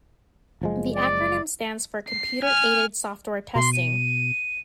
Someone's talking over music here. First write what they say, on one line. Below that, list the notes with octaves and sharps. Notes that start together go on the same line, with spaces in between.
The acronym stands for "Computer Aided Software Testing".
F#1 F3 G#3
D5
C7
G#5 F6
B2 C6
D#7